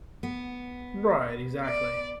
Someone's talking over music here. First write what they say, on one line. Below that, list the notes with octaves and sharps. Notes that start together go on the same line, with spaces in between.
Right. Exactly.
B3
D5